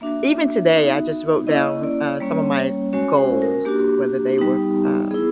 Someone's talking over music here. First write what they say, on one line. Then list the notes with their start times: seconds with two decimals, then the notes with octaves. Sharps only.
even today, I just wrote down, uh, some of my goals, whether they were, um,
0.01 A#3 D4 F#4 E5
0.74 B3 D#4 F#4
1.47 A#3 C#4 E4 D#5
1.83 D5
2.20 G3 A#3 C#4 C#5
2.93 G#3 C#4 F#4 C#5
3.18 C5
3.42 A#4
3.65 A#3 D4 F#4 G4
4.38 G3 B3 D#4
5.11 B3 E4 G#4